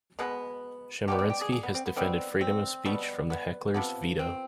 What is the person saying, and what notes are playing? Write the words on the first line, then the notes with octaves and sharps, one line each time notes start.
Chemerinsky has defended freedom of speech from the heckler's veto.
B2 G#3 B3
B2 G3 B3 G4
C4
G4
G#4
G#4
B3
C4
B3
D#3 G3 B3 C4
C4
B2 G3 B3
B3
C3 F3 B3
C4